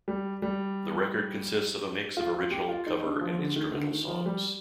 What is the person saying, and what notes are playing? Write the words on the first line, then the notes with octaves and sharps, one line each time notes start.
The record consists of a mix of original, cover, and instrumental songs.
G3
G3
F4
F4
G4
F4
D#4
D4
F3
D3
D#3
D3
D#3
F3
G3